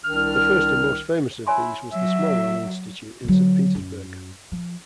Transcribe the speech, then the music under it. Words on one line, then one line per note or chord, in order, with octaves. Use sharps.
The first and most famous of these was the Smolny Institute in Saint Petersburg.
C2 D#3 D4 F6
E4 C#5 G#5 C6
F#3 E5
D3 F#3
F#2
F3